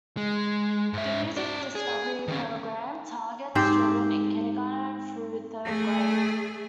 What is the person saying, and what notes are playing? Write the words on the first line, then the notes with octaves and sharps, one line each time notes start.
The Music Discovery program targets children in kindergarten through third grade.
G#3
G#2 E5
C#4 D5
G#4
D#3 C#4
G#2 C4 G4 C5
A3 G#4